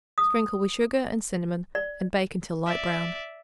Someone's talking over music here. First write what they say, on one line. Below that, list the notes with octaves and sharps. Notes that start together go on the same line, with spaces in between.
Sprinkle with sugar and cinnamon and bake until light brown.
D#6
D5
D5 E5